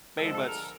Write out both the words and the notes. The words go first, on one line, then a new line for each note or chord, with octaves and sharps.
pretty much
D3 F3 G#3 A4
A4
A#4